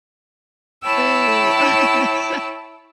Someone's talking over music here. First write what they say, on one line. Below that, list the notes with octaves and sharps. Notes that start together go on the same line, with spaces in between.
Lou. Oh, that's so
E4 C#5 G5 A5 B5 E6